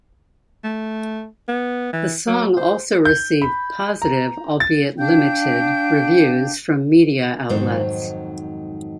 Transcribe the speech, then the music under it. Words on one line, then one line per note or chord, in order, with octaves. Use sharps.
The song also received positive-albeit limited-reviews from media outlets.
A3
B3
E3
F#3
C5
G6
B5
A#5
A6
D4 F5 G5 G6
F2 G#2 D#3 F#3 D#4 C5